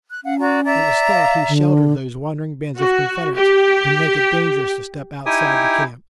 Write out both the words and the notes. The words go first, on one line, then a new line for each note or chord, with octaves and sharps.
It was thought he sheltered these wandering bands of Confederates who make it dangerous to step outside the camp.
F#6
C#4 F5 F#5
F#4 D5 A#5
D5 E5 A#5
F5
D3
F#4
G4
D#4 E4 G4 G5 G#5 D#6